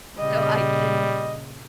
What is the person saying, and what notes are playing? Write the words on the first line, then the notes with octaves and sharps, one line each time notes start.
so I can
A#2 C#3 G3 D#5